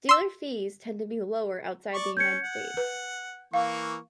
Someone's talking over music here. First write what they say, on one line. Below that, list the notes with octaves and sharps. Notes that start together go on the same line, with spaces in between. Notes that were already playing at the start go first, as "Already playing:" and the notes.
Dealer fees tend to be lower outside the United States.
C6 E6
D5 C#6
C#4 G6 G#6 C#7
F#5
B4
E3 A#3 F5 C#6